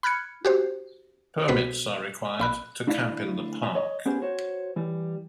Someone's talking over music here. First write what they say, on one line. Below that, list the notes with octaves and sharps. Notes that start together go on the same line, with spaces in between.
Permits are required to camp in the park.
B5 F6 F#6 G#6 C#7
F#4 G4 C5
C2 B2 B3 F#4 C5 B6
A#1 B5 F#6
D2 D4 E4 D5 E5 F5
C#5 D#5
B3 C#4 G4 G#4 B4 C5
F#4 C5 C#5
E3 G3